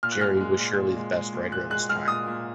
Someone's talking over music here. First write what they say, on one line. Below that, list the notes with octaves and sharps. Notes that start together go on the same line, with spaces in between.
Jarry was surely the best writer of his time.
A#2 F6
F#6
G#3 F6
G#3
A#2
A#2
G#3
G#3
A#2
A#2 F#6
G#3 F#6
G#3 F6
A#2 D#6
A#2